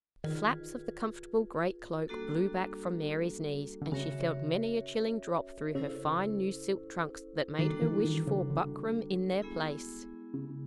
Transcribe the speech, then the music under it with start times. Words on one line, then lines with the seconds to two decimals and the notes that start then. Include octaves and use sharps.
The flaps of the comfortable great cloak blew back from Mary's knees, and she felt many a chilling drop through her fine new silk trunks that made her wish for buckram in their place.
0.24 D#3 F4 G#4 B4
2.08 G3 A#3 D4 F#4 A4
3.82 D3
3.92 C#3 C#4 F#4 A#4 C#5 E5
5.75 C#3 C#4 E4 A4 C5
7.59 D#3 G3 A#3 D4 F#4 A4
7.82 E3
8.04 D#3
8.27 C#3
8.50 D3
9.42 G#3 B3 E4 G#4
10.34 C#3